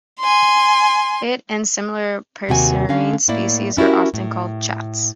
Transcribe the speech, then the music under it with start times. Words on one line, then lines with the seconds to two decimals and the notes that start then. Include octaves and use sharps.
It, and similar passerine species, are often called chats.
0.20 G#5 C6
2.49 D#2 C3 F#4 G5 G#5
2.89 D3 C#4 F5
3.28 A2 A#3 E4 D5
3.77 C#4 E4 F#4 G4 A#4
4.14 A2